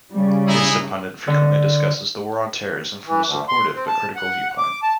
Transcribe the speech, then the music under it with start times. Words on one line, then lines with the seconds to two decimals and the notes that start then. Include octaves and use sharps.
Instapundit frequently discusses the War on Terrorism from a supportive-but-critical viewpoint.
0.11 C#3 G3
0.47 D#4 E4 G#4
1.27 D3
3.06 E3
3.24 D2
3.49 C6
3.74 C4
3.88 A5
4.16 F#5
4.58 D6
4.83 A5